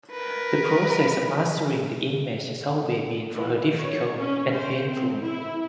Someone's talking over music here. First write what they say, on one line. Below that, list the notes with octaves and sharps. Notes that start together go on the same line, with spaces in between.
The process of mastering the image has always been for her difficult and painful.
A#4 B4
E3
C#5
C#4
C5
C4
E4